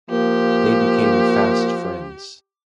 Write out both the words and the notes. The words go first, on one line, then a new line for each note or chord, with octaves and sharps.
They became fast friends.
F3 A#3 G4